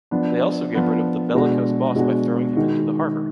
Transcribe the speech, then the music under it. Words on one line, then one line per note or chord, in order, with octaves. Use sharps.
They also get rid of the bellicose boss by throwing him into the harbor.
F3 B3 D4
F3 B3 D4
B2 G#3 D4 F#4
B2 G#3 D4 F#4
D#3 G#3 D#4 F#4